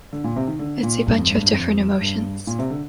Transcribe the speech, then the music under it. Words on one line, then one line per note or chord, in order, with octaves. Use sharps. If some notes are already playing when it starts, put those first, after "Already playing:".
It's a bunch of different emotions.
D3
A#2
C3
D#3
D3
A#2
G2
F2
G2
G2
F2
G2
A#2
C3
D3